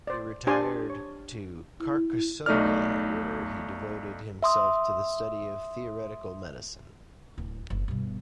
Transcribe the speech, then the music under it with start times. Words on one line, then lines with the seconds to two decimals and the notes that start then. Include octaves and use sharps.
He retired to Carcassonne, where he devoted himself to the study of theoretical medicine.
0.07 C5 D5
0.47 D4 G4 C5 D5 G#5 C6
0.90 C#5
1.80 E4
2.46 B1 A3 D#4 D5 F6
4.43 E5 C6 D#6
7.38 D1
7.70 F#1
7.88 G2 B2